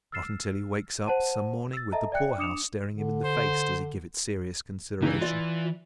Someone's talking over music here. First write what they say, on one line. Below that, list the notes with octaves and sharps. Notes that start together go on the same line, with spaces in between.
Not until he wakes up some morning with the poorhouse staring him in the face does he give it serious consideration.
E6 F6 A6 C7 E7
C5 F#5 A5 D#7
E6 A6
A4 D#5 E5 A5 A#5
D5 E5 G5 F#6 C#7
D4 D6 D#6 C#7 E7 F7
D3
C5
C#2 E3 D#4
F4 D5